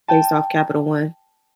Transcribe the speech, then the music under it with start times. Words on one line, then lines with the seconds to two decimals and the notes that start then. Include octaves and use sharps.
based off Capital One
0.08 G5 A5